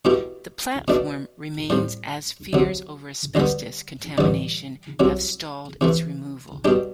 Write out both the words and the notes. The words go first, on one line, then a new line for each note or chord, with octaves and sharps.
The platform remains, as fears over asbestos contamination have stalled its removal.
B2 A3 E4 G4
B2 A3 D4
A2 G3 C4
D2 C3 F#3
D2 D3 G3 B3
A1 G2 D3 G3
C2 C3 F#3
C3 E3 A3
B2 G3 D4 G4